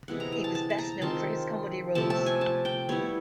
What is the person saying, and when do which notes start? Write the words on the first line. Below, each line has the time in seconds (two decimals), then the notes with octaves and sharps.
He was best known for his comedy roles.
0.08 C3 E3 G#3 B3 F#5
0.20 A#5
0.32 A#5
0.44 A5
0.55 A5
0.70 A5
0.78 A#5
1.01 D#3 G#3 C4 F4 A5
1.95 C3 F3 A3 A5
2.10 A5
2.26 G#5
2.41 A5
2.65 G5
2.89 G3 B3 E4 C#5